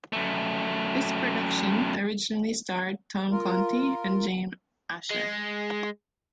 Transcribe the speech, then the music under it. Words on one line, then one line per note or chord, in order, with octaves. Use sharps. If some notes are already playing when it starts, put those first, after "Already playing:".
This production originally starred Tom Conti and Jane Asher.
F#2 A3
F4 A#4
G#3